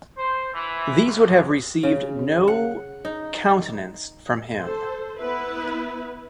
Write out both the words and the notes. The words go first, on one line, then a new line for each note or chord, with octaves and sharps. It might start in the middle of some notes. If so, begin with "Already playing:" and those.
These would have received no countenance from him.
C5
E3
C#2
C#3
F#5
D#4
A4 C5
B3 E4 B4